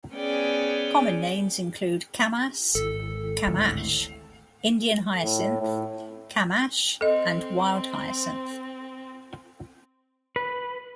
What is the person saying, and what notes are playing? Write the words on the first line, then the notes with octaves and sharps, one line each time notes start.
Common names include camas, quamash, Indian hyacinth, camash, and wild hyacinth.
B3 C#4 G#4 D5 G5
G#1 A4
G#1 D2 A2
A2
A2
C4 A4 D#5
B4